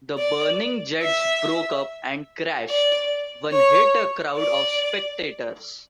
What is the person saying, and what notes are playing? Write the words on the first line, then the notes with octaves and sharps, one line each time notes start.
The burning jets broke up and crashed; one hit a crowd of spectators.
D5
E5
D5
C#5
D5